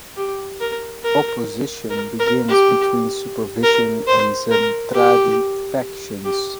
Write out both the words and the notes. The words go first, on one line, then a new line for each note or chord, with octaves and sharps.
Opposition begins between Supervision and Zentradi factions.
G4
A#4
A#4
A#4
A#4
G4
A#4
C5
A#4
G4
G4